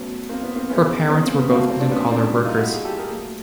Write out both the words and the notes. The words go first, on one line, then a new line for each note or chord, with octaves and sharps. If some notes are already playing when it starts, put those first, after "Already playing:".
Her parents were both blue collar workers.
Already playing: B2 F#3 A3 B3 C#4
A#3 C4
B3
A#3 C4
C#3 E3 G#3 B3 C#4
B3 C#4
A#3 C4
B3
B2 F#3 A3 A#3 C4
A#3 C4
C4 D4
B3 C#4
C4 D4
A#2 G3
D#4 F4
E4 F#4
F#4 G#4
G4 A4
G#4 A#4
A#2 F#3 A3